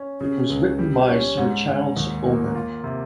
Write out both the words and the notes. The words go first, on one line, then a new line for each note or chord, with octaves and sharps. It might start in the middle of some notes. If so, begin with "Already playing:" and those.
It was written by Sir Charles Oman.
Already playing: C#4
C#3
C#2
G3
C#4
G#2
G#2
D#2
A#3
F4
C3